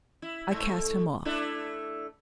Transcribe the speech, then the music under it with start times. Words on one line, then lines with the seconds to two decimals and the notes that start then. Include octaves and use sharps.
I cast him off.
0.22 E4
0.51 G#2 A3
1.25 A3 D4 E4